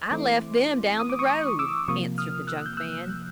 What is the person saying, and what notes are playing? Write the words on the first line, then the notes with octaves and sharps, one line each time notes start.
"I left them down the road," answered the junk man.
E3 A3 C4 E4 C6 D6
D#6
D6
C#6 D#6
C#6 D#6
D6 E6
C3 F3 A#3 C#6 D#6
D#6 F6
E6 F#6
G6
E6 F#6